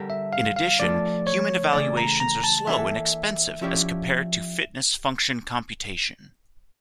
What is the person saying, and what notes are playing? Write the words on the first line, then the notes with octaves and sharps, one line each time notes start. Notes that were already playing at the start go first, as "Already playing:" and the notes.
In addition, human evaluations are slow and expensive as compared to fitness function computation.
Already playing: D3 G3 D4 G4 A#4
E5
F5
F5
F3 A3 D4 F4 A4 D5
C#5
C#3 E3 A3 D5
A#5
A#5
A5
E3 A#3 D4 A4 E5
F3 C#4 E4 G4 D5